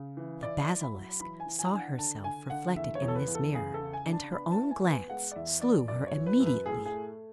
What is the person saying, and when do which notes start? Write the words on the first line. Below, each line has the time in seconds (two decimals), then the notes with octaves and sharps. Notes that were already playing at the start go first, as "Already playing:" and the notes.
The basilisk saw herself reflected in this mirror, and her own glance slew her immediately.
Already playing: C#3
0.17 E3
0.42 E4 D5
0.69 E4
0.81 B5
0.94 F#3
1.20 E3 B5
1.40 G#5
1.46 E3
1.59 G#5
1.73 D4 G#5
1.79 F#5
1.99 D3 A5
2.24 D3 G#5
2.50 D3 F#5
2.76 E2 E5
2.95 C#5
3.02 E2
3.08 A4
3.15 B4
3.28 E2
3.35 A4
3.54 C#3 G#4
3.74 A4
3.80 C#3
3.93 G#5
4.06 D4
4.13 A5
4.32 B3 B5
4.52 A5
4.58 E4
4.71 G#5
4.84 B3
4.91 G#5
5.10 G#3 F#5
5.31 D5
5.36 E2 E5
5.61 E2 D5
5.88 F#2 D5
6.07 C#5
6.14 E3
6.26 B4
6.40 F#2
6.46 B4
6.66 A2 G#4
6.86 G#4
6.92 A3